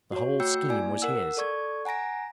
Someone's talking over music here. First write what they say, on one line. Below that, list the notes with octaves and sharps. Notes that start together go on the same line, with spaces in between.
The whole scheme was his.
F#4 C#5
A3 F#4 G5 E6 G6 C#7
A#3 E4 D5 G#5
A#4 F#5 E6
A4 D5 C#6 G#6
F#5 G#5 A#5 A#6 D7